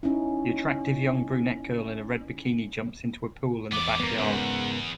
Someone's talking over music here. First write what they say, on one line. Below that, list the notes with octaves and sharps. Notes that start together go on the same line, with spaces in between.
The attractive young brunette girl in a red bikini jumps into a pool in the backyard.
C#4 D#4 E4
E2 B3 D5 D6
G2 B3 A#4
E2 G#2 C#3 F#5